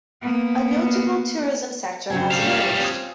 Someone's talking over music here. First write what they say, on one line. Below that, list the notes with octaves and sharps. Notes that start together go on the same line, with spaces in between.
A notable tourism sector has emerged.
A#3 B3
C#3 F#3 C4 G5 G#5
G3 F5
C#4 E4 F4 D5
C4 G#5 D#6